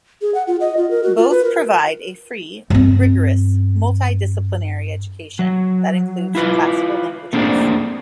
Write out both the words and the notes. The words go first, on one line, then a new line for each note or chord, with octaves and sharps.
Both provide a free, rigorous, multi-disciplinary education that includes classical languages.
G#4
F#5
F4
D#5
F4
A#4
F#4
F4
B4
A#4
G2 C4
F#3
E4 F4 B4
A3 A#3 C4 D4 G#4 D5